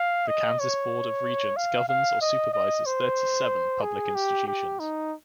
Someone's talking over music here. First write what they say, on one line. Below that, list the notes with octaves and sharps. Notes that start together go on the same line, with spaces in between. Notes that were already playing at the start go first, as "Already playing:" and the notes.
The Kansas Board of Regents governs or supervises thirty-seven public institutions.
Already playing: F5
D#5
C#5
F5
F5
D#5
D#5
C5
G#4
G4
G4
D#4